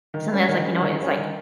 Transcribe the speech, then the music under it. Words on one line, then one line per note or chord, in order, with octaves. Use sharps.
sometimes, like, you know, it's, like,
D#3
G3 C#4
D#3
G3 C#4
D#3
G3 C#4
D#3